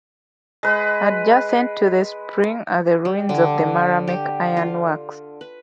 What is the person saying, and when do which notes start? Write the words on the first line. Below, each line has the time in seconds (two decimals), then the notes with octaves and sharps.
Adjacent to the spring are the ruins of the Maramec Iron Works.
0.63 G#3 B4
3.05 G3
3.29 D3
4.07 G4
4.57 F4
5.41 B4